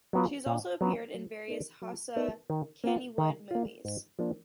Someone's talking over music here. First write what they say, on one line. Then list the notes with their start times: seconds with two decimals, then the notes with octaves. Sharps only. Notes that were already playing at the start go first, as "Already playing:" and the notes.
She has also appeared in various Hausa Kannywood movies.
0.13 F#3 B3 F4
0.46 A#2
0.81 F#3 B3 F4
1.14 F#3
1.48 B3 D#4 A#4 D5
1.82 F#3
2.16 B3 D#4 A#4 D5
2.50 D#3
2.84 A#3 F4
3.18 D#3
3.51 A#3 F4
3.85 G#2
4.19 F3 A#3 D4